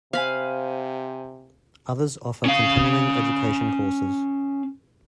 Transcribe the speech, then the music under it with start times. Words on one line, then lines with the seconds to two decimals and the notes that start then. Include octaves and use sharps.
Others offer continuing education courses.
0.13 C3 C5 F5 G#5 B5
2.45 C#4 F5